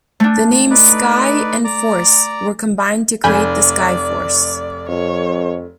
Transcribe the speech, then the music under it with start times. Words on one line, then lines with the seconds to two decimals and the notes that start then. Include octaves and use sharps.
The names "Sky" and "Force" were combined to create the "Skyforce".
0.20 A3 D4
0.71 D#4 B4 D5
1.64 D5 A#5
3.24 F1 D5 G#5 B5 G6
4.89 F2 C#5